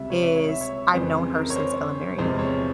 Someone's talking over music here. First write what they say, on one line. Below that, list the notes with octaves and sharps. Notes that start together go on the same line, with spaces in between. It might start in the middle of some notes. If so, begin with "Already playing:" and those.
is I've known her since elementary,
Already playing: C#2 C3 G3 E5
C#5
E5
C#5
E5
C#5
F2 C#3 E3 C5
A#4
C#5
C5
E2 C3 F3 G#3 C5
C#5